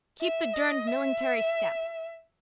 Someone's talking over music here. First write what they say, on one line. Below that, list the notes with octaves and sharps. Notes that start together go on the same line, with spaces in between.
Keep the durned millingtary step.
E5
D#5
E5